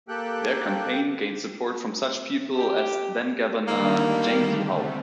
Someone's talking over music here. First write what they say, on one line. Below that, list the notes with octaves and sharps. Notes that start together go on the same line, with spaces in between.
Their campaign gained support from such people as then-Governor Jane Dee Hull.
A#3 G4 A4 G5 F#6
G4
D3 D#3 G3 A#3
C3 A3